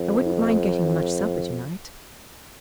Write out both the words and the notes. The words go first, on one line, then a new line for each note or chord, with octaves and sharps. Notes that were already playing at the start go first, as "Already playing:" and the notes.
I wouldn't mind getting much supper tonight.
Already playing: F2